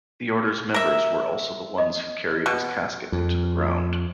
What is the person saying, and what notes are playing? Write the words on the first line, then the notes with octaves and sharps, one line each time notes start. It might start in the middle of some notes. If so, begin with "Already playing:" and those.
The order's members were also the ones who carried his casket into the ground.
A#4 E5
D#5
B2 F#6
F2